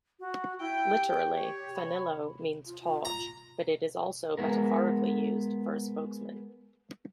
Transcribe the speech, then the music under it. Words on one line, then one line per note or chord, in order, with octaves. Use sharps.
Literally, "Fanilo" means torch, but it is also metaphorically used for a spokesman.
F#4
E4 G5
G4
C#5
B5
F4
A#5
G#3 B3 A#4